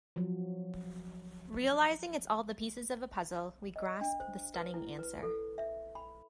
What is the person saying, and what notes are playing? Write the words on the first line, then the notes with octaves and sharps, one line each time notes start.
Realizing it's all the pieces of a puzzle, we grasp the stunning answer.
F3 F#3
D#5
D4
C5
B4
E4
B4
A4
E5
B5